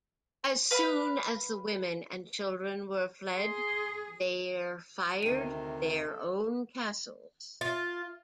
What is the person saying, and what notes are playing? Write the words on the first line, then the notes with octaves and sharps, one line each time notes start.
As soon as the women and children were fled, their fired their own Castles.
B4 F5 B5
G#4 C6
D2 C3 D#3 D#7
A4
F4